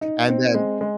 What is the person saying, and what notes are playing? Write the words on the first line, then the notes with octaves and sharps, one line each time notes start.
And then
D#4
C4
G#3
G#3